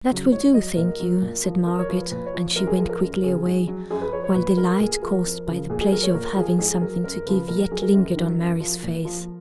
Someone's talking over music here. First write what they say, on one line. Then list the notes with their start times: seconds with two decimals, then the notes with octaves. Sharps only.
'That will do, thank you,' said Margaret; and she went quickly away, while the light caused by the pleasure of having something to give yet lingered on Mary's face.
0.10 C#3 F#3
0.32 G#2 C#5
0.54 F#3 D#5
0.77 A#2 A#4
0.99 F#3
1.22 A#2
1.44 F3
1.67 F2 A#4
1.79 C#5
1.89 F3 B4
2.11 A#2 B4
2.26 C#5
2.34 F3
2.56 F#2 A#4
2.67 G#4
2.78 F3 A#4
2.89 A#4
3.01 F#2 A#4
3.23 C#3 F#3 G#4
3.46 G#2
3.67 F#3
3.90 F#2 G#4
4.01 B4
4.13 F3 C#5
4.24 C#5
4.35 A#2 B4
4.57 F#3 A#4
4.80 A#2 G#4
5.02 F3 A#4
5.25 F2
5.47 C#3 F3
5.70 A#2 G#4
5.81 G#4
5.92 F#3 A#4
6.03 C#5
6.14 A#2 A#4
6.37 F3 G#4
6.59 G#2 G#4
6.81 F#3 A#4
7.04 F#2 A#4
7.26 C#3 F3 B4
7.48 A#2 A#4
7.59 A#4
7.71 F#3 G#4
7.82 A#4
7.93 F#2 A#4
8.16 D#3 F#3
8.39 F#2
8.60 F3
8.83 A#2
9.05 F3